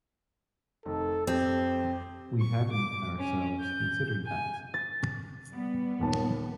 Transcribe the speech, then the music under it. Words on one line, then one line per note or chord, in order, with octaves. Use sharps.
We hadn't, ourselves, considered that.
F1 D#3 A4
F2 C4 G4
C#6
D6
C#4
G6
G#5
A6
G3 B3
D#1 D#2 A5